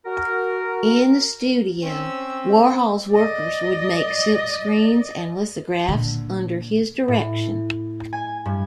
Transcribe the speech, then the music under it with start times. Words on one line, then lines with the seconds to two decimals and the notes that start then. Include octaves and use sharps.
In the studio, Warhol's workers would make silkscreens and lithographs under his direction.
0.06 F#4 A#4
1.84 C4 C#4 E6
3.12 D5 D#5
5.88 A#2 D3
7.08 A2
8.13 G#5
8.46 G2